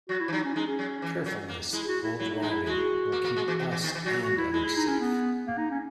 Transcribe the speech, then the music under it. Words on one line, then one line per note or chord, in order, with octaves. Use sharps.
Carefulness while driving will keep us and others safe.
F#3 F#4
E4
E3
F#3 D#4
C#4
G#3 D#4
C#4
F#3
E3
F#3
A#3
G#3 E4
F#4
E4
F#3 E4
D#4
G#3
E4
G#3 F#4
A#3
A#3
G#3
E3
E3
E3
D#3
E3
F#3 F#4
F#4
E4
G#3 E4
E4
D#4
C#4
B3
A#3
D#4
C#4